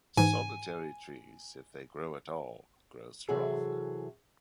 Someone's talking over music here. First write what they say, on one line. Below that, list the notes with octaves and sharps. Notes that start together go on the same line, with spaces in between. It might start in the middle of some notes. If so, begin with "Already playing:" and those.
Solitary trees, if they grow at all, grow strong.
G#2 E3 G#5
C3 E3 F#3 F#4 G#4 A4